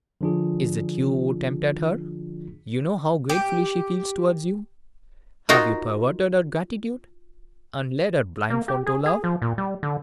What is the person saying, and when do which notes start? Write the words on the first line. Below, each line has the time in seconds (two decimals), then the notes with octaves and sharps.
Is it you who tempted her? You know how gratefully she feels toward you--have you perverted her gratitude, and led her blindfold to love?
0.21 D3 F3 D4 F4 G#4
3.29 G4
5.49 D#4 F4 F#4 A#4
8.50 A#3
8.68 G4
8.86 G#4
9.06 G#4
9.24 F3
9.42 A#2
9.58 G3
9.83 D3